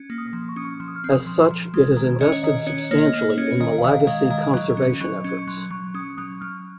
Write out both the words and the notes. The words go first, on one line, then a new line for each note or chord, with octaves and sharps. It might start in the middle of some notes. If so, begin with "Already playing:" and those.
As such, it has invested substantially in Malagasy conservation efforts.
Already playing: C#4
A#3
D#6
F3
C#6
C#4 D#6
C#6
F3 F6
D#6
F6
C4
D#6
F3
C6
F3
G#3
D#3
C#4 D#5
C#5
D#3 D#5
D#5
C#4 C#5
A#3 C#5
D#5
A#3
C#5
C#4
D#3 D#5
F5
D#3 D#5
F5
G#3 D#5
F5
D#3 D#5
F#3
C#4
F#3
C#4
C#6
F#3 C6
F#3 C#6
C#4 D#6
F#3 D#6
F#3 F6